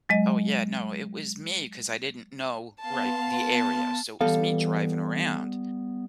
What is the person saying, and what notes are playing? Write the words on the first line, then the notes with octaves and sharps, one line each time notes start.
Oh, yeah, no, it was me 'cause I didn't know, right, the area, so it was me driving around,
F#3 G#3 D#5
B3 F5 A5 C6
E3 G3 B3 A4 F5